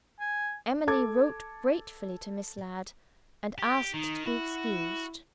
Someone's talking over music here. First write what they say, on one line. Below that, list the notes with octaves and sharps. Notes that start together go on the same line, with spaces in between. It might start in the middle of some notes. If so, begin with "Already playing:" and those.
Emily wrote gratefully to Miss Ladd, and asked to be excused.
G#5
A4 A5 D6 G#6
G4
D#3 D#4
E4 F#4